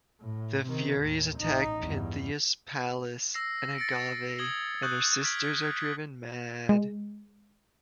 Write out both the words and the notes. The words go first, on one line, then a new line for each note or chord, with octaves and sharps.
The Furies attack Pentheus' palace and Agave and her sisters are driven mad.
A2
C3 D#3
D#2 A2
A1 D#4
E2 G2
E6 A#6 C7
A6 A#6 C#7 D7
D#6 G#6 F#7 G7
C#6 D#6 F#6 G6 F#7
C#6 F6 G#6 B6 D7 F#7
G#3